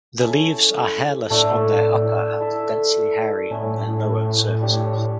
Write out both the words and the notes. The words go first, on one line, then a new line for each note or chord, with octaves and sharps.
The leaves are hairless on their upper and densely hairy on their lower surfaces.
C#4 E4 A4
A2 A3 D4 A4 D5
E4 A4 E5
A2 A3 C#4 E4
D4 G4 C#5